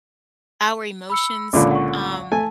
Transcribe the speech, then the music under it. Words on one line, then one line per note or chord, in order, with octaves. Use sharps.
our emotions, um,
B5 E6 C#7
C#2 A#2 D3 D5 B5 D6
F#5 C#6
A3 G#5 A5